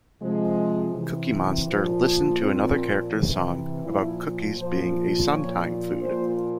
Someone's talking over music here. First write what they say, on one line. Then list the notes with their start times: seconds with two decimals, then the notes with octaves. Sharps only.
Cookie Monster listened to another character's song about cookies being a sometime food.
0.22 C3 F3 G#3
0.94 C3 E3
1.66 A#2 F3
2.39 A#2 F3 C4
3.11 C3 E3
3.84 A#2 F3 E4
4.57 A#2 F3 C5
5.30 A#2 F3 C#5
6.02 A#2 F3 C5